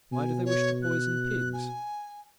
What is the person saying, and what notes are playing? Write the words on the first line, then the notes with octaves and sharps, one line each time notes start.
"Why do they wish to poison pigs?"
B2 G#5
C#5
F#6
G#5